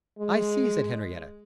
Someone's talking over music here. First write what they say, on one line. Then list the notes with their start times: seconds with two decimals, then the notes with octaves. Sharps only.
"I see," said Henriette.
0.19 G#3